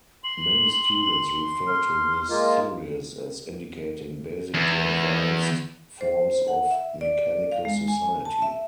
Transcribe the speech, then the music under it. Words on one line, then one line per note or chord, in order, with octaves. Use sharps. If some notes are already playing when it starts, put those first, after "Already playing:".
Many students refer to this series as indicating basic-to-advanced forms of mechanical society.
C6 F#7
F6
G#3 A#3 F4
E2
C5
F#5
E5
D5
F5
G#3
G#5
A5
E5